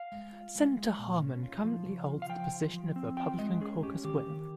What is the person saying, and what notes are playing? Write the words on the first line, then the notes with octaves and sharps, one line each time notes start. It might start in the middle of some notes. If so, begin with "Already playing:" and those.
Senator Harman currently holds the position of Republican Caucus Whip.
Already playing: F5
G#3
F4
G#3
G#3
A#2
C#4
F4
F3
C#3
F4
F5
F3 G5
F4
F3
C4
F4 G5
G#3 D#5
C#4 G#4
C#4 G4
D#3 G4
D#3